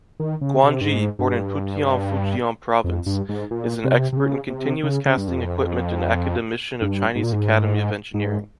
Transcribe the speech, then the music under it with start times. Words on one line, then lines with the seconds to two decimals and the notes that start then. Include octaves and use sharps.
Guan Jie, born in Putian, Fujian Province, is an expert in continuous casting equipment and academician of Chinese Academy of Engineering.
0.20 D#3
0.41 C#3
0.64 C3
0.81 G2
0.86 G#2
1.19 G2
2.84 F2
3.06 G2
3.29 G#2
3.51 A#2
3.84 C3
4.13 C3
4.17 C#3
4.50 C3
4.83 C#3
5.06 C#3
5.18 G2
5.28 F2
6.82 G2
7.15 G#2
7.23 A#2
7.33 G#2
8.14 G#2